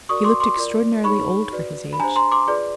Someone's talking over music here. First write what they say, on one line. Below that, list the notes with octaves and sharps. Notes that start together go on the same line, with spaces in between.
He looked extraordinarily old for his age.
F#4 A#4 D5 C#6 D#6
C6 D6
C6 D6
F4 A#4 D5
D#4 G#4 C#5 B5 C#6
F#4 B4 D5
B5
D4 G4 C5 G#5 A#5
A#5 C6
C6 D6
F4 G#4 B4 D5